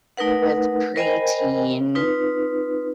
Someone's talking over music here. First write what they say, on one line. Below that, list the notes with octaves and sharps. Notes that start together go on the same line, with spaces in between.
with preteen
A3 D#4 A#4 B4 F#5
A#4 C5 D#5 G5 G#5 B5
C4 D#4 F4 B4